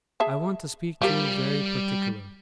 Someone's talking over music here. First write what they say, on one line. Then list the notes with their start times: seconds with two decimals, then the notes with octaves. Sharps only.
'I want to speak to you very particularly.
0.20 G#4 E5 A5
1.02 F3 G3 G4 A#4